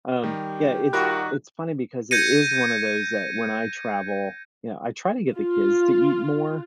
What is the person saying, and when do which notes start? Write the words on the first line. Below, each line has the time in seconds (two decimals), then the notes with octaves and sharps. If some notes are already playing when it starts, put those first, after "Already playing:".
um, yeah. It's it's funny because it is one of those that, when I travel, you know, I try to get the kids to eat more,
0.23 D#3 G3 G4
0.93 D#3 G3 F4 F#4 A#4 B5 F#6
2.11 G6 G#6 A#6 C#7 D#7
5.36 F4